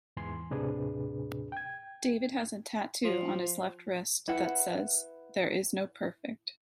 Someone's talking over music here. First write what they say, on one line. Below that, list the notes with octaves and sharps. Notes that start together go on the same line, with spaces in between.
David has a tattoo on his left wrist that says "There Is No Perfect".
E2 G#2 E3 G#5 C6
D#2 A2 C3 D4 G#4 B4
G5 G#6
F3
E4 B4 F#5